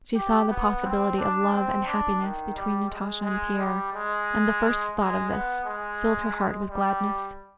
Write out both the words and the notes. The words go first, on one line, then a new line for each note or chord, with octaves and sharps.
She saw the possibility of love and happiness between Natasha and Pierre, and the first thought of this filled her heart with gladness.
G4
B3
C4
D4
C4
D4
D#3
G3
G#3
G#3
G3
G#3
G#3
B3
G#3
G3